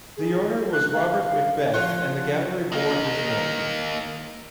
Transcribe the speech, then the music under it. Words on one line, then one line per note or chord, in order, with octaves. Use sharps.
The owner was Robert Macbeth and the gallery bore his name.
G#4
F#6
F5
F3 F4 F#4 C5 F#5 F#6
A#3 D#4